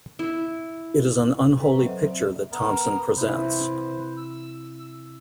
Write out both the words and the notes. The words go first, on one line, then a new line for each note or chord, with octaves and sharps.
It is an unholy picture that Thompson presents.
E4
C#4 A4 B4 G5 A#5 C#6
F#3 C4 C5 D#5 E5 F#5
D5 E5
B3 A#4
C3 E4 B4 C5
E6